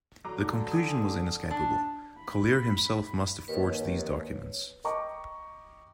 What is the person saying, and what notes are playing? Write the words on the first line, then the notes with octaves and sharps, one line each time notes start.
The conclusion was inescapable-Collier himself must have forged these documents.
D3 F#3 A#5 D6
G#5 D#6
D4
B5
D#2 A#3 B4 C#5
D#5 G5 A#5 C#6 D6